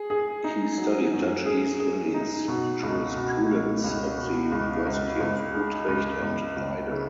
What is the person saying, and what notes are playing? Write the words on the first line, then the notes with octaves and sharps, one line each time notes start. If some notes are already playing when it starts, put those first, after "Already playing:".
He studied Dutch East Indies Jurisprudence at the University of Utrecht and Leiden.
Already playing: G#4
G#4
D#4
F#3
F#2
G#4
G#4
D#4
B2
C#2
B2
B2
C#2
B2
C#2
C#2
C#2
G#3
C#2
C#2
C#2
C#3